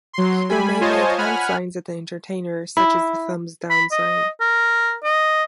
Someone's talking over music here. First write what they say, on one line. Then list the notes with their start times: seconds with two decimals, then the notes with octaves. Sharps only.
People may make hand signs at the entertainer, such as the thumbs down sign.
0.13 F#3 C6
0.49 G3 G#5 B5
0.81 F4 C5 C#5 D#5 G#5 A5
1.18 F#5 G#5 B5 F6
2.77 E4
3.70 B5
3.92 D#5
4.41 A#4
5.04 D#5